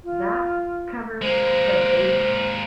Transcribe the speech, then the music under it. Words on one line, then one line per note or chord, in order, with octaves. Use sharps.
That covers the basics.
F4
G#3 A#3 C5